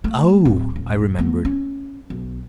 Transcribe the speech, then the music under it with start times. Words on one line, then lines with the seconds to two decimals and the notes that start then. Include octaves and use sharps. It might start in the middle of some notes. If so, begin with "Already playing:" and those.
"Oh!" I remembered.
0.04 A3
0.45 D1
0.76 D#1
1.18 A3 B3
1.45 C#4
2.10 B1